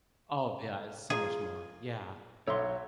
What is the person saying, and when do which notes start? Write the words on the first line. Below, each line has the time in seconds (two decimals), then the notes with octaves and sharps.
Oh, yeah, it's so much more, yeah.
1.10 F4 G#4 A#5
2.47 B1 A4 C#5 E5 C6 D6